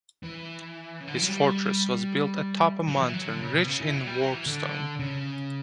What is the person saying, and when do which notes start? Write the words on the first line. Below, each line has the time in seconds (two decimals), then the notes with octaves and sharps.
His fortress was built atop a mountain rich in warpstone.
0.23 E3
1.00 C#3
1.07 D3
1.14 E3
1.22 F#3
1.28 G3
2.88 F#3
3.01 E3
3.14 F#3
3.27 D3
3.40 C#3
3.54 B2
3.67 C#3
3.80 E3
3.94 F#3
4.06 G3
4.20 F#3
4.34 E3
4.46 D3
4.99 C#3